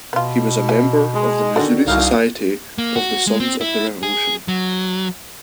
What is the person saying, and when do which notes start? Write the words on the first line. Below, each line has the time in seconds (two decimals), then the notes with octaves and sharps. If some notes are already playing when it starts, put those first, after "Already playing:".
He was a member of the Missouri Society of the Sons of the Revolution.
0.13 B2 B3 F4
0.69 B4 E5 G#5
1.15 G#3
1.56 D3 D#3 F#4 A4 D5
1.87 C2 D#4 E4 F#4 F5
2.78 A#3
2.96 F#4
3.27 G#3
3.40 C4
3.61 E4
4.03 G#4
4.48 F#3